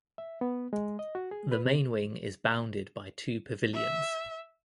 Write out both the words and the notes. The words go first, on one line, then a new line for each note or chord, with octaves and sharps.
The main wing is bounded by two pavilions.
E5
B3
G#3
D#5
F#4
G#4
B4
C3
E5